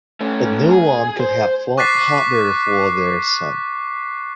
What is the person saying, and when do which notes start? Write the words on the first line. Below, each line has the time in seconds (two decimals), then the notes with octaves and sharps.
But no one could have fought harder for their son.
0.21 A3 C#4
0.71 G#4
1.20 C5
1.77 C#6 D6 F#6 A6 B6 C7